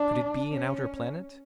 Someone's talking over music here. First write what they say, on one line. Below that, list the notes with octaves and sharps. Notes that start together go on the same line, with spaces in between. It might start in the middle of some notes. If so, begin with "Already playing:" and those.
Could it be an outer planet?
Already playing: D4
C#4